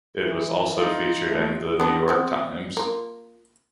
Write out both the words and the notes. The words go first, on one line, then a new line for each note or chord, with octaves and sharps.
It also was featured in the "New York Times".
E3
D#4 F4
A3
B3 D4 G4
B3 C4 C5
A#3 F4